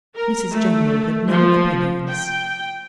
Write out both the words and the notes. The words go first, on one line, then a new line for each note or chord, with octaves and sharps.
Mrs General had no opinions.
A#4
A3
F3
G5